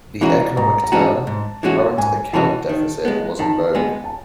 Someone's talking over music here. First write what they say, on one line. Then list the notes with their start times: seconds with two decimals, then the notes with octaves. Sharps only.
The economic term "current account deficit" was in vogue.
0.21 E3 G#3 C#4 F#4 A#5
0.57 G#2 A#5
0.84 A#5
0.92 E3 G#3 C#4 F#4 A5
1.27 G#2
1.63 E3 G#3 C#4 F#4
1.98 G#2 G#5
2.33 E3 G#3 C#4 F#4 A5
2.69 D#3
3.05 G#3 B3
3.39 D#3 A5
3.75 G#3 B3 G#5
4.04 A5